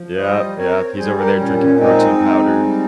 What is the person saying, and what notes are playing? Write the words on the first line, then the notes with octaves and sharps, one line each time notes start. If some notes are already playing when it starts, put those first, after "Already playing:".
Yep, yep. He's over there drinking protein powder.
Already playing: F3
G3 C5 D#5
C4 A#4 C#5
G3 G#4 C5
G4 A#4
A#2 C#4
C#4
G#3 C4 D#4
G#3
G3